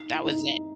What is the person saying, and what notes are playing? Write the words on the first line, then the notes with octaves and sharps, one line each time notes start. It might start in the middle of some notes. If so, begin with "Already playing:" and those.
that was it.
Already playing: D#4
E4
D#4